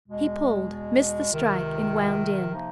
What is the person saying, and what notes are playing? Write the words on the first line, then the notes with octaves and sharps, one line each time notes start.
He pulled, missed the strike, and wound in.
E2 B2 G#3
C#2 C3 D#3
C3 F3 A#3 D#4